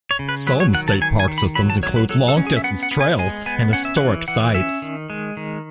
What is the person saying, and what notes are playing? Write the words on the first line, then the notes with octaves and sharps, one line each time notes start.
Some state park systems include long-distance trails and historic sites.
C#5
C#3
B4
F#3 B4
C#5
D#3 F#5
A5
D#3 G#5
G#5
D#3
B5
F#3 B5
A5
F#3 C#5
B4
F#3 A4
A4
C#4
G#4
E5
B3 F#5
F#5
B3
G#5
G#3 G#5
B3 G#5
C#4 F#5
E5
E3 F#5
E3 F#5
C#4 E5
D#3
G#3
D#3